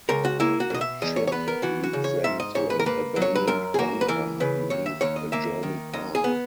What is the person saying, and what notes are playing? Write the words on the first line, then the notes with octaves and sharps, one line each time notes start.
The chip leads them to an abandoned bunker beneath a German park.
C#2 A#4
F#4
A#3 E4
F#4
B2 D#5
E5
E2 D#5
C#5
C#5
B3 B4
A#4
E3 F#4
F#4
C#3
C#5
G#2 E5
D#5
G#2 C#5
B4
A#4
A#3 B4
F#3
C#5
B4
F#2 A#4
G#4
A#3 F#4
B4
E3 A#4
C#3 B4
D#2 C#5
E5
D#2 C#5
D#5
A#3 E5
D#3
D#2 D#5
G#4
B3